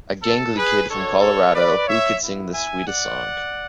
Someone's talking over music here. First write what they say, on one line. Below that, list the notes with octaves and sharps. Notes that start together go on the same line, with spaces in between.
A gangly kid from Colorado, who could sing the sweetest song...
A4
G#4 B4
G#3 D4 F#4 A4 C#5
A4 C#5
B4 D5
C#5 E5
B3 E4
E5 G#5
D5 F#5